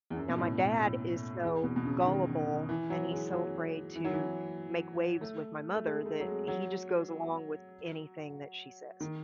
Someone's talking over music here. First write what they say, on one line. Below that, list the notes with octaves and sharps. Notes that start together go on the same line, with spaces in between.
Now, my dad is so gullible and he's so afraid to make waves with my mother that he just goes along with anything that she says.
E2
F#2
B2
A2
B2
A2
E2
B2
B2
C#3
D#3
E3
F#3
G#3
F#3
E3
F#3
E3
A3
A3
G#3
G#3
A3
F#3
G#3
F#3
D#3